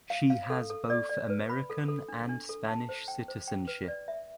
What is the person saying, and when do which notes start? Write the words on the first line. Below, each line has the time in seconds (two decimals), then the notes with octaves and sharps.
She has both American and Spanish citizenship.
0.10 F5
0.30 F5
0.50 A4
0.70 A4
0.90 D5
1.09 D5
1.30 B4
1.49 B5
1.70 A4
1.88 A4
2.08 D4
2.29 D4
2.49 A4
2.68 A5
2.89 C5
3.08 G5
3.28 C5
3.48 G5
3.67 B4
3.88 D5
4.08 E5